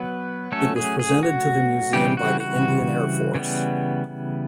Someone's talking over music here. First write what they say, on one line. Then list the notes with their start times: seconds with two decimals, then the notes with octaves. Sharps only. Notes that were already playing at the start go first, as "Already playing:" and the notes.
It was presented to the museum by the Indian Air Force.
Already playing: F#3 B3 B4
0.52 F#3 A3 C#4 A4
0.76 G#4
0.99 G#4
1.23 F#4
1.93 C#3 E3 G3 C4 G4
2.17 F#4
2.40 F#4
3.35 C#3 E3 G3 B3